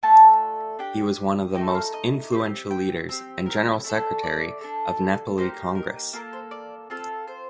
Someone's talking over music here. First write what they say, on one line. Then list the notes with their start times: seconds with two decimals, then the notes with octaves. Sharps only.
He was one of the most influential leaders and General Secretary of Nepali Congress.
0.03 A3 D4 F4 A4 A5
0.79 D4 G4 G5
1.55 A3 D#4 A4 G5
1.75 F5
1.94 D#5
2.32 C4 G4
2.71 G5
3.09 C4 G4
3.46 A#4
3.84 A3 D4 A4
4.23 D5
4.61 D4 A4
5.38 A#3 D#4 G4 C5
5.75 A#4
6.13 A#3 F4 A4 A#4
6.33 C5
6.51 D5
6.90 C4 F4 A4
7.27 C5